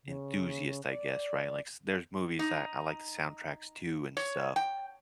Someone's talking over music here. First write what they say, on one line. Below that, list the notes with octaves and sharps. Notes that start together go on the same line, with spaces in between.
enthusiast, I guess, right, like s there's movies that I like the soundtracks too and stuff,
C#3
D5
D#4
C#5
G5